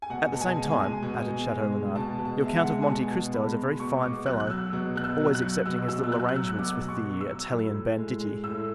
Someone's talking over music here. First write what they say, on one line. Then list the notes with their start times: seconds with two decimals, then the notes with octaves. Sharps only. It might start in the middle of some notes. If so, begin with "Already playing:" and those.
"At the same time," added Chateau-Renaud, "your Count of Monte Cristo is a very fine fellow, always excepting his little arrangements with the Italian banditti."
0.02 G#5
0.10 B2 F#5
0.32 B2 A5
0.41 G#5
0.56 G#3
0.72 G#5
0.79 G#3
1.02 B2
1.26 B2
1.49 G#3
1.72 G#3
1.96 B2 A5
2.19 B2
2.25 A5
2.42 G#3 E5
2.56 F#5
2.65 G#3
2.82 G#5
2.88 B2 A5
3.11 B2
3.24 A5
3.33 G#3 B5
3.57 G#3
3.80 B2 C#6
4.03 B2 D6
4.26 F#3 F#6
4.40 F#6
4.49 F#3 E6
4.73 B2
4.96 B2 F#6
5.04 E6
5.20 F#3
5.35 F#6
5.42 F#3
5.66 B2 E6
5.88 B2 E6
6.04 E6
6.12 F#3 F#6
6.29 F#6
6.36 F#3 E6
6.49 E6
6.59 B2 D6
6.82 B2
6.89 C#6
7.05 F#3
7.21 E6
7.28 F#3
7.50 A2
7.75 A2
7.98 G#3
8.20 G#3
8.44 A2 E6